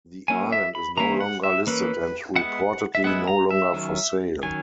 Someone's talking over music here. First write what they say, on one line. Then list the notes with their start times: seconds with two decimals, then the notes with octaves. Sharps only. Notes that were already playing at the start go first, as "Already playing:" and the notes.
The Island is no longer listed and reportedly no longer for sale.
0.28 F#3 A#3 C#4 E4 G#5
0.52 E5
0.75 B5
0.97 E3 A#3 C#4 E4 A#5
1.20 F#5
1.44 E5
1.67 E3 A#3 C#4 E4 B4
2.36 G#3 B3 E4 F#5
2.95 E5
3.04 G#3 B3 E4 F#5
3.27 A#5
3.51 E5
3.73 D#3 F#3 C#4
4.43 D#3 F#3 C#4 G#5